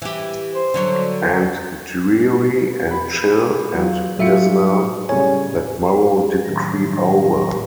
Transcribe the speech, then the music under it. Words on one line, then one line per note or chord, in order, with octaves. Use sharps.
And dreary, and chill, and dismal, that morrow did creep over!
E3 G4
C5
D3 F#3 C#5
B5
F#3 F4
A2 F#3 F4 F#4 E5 C#7
A2 C#3 G3 C#5 G#5
A2 D#3 F#3 A3 A#6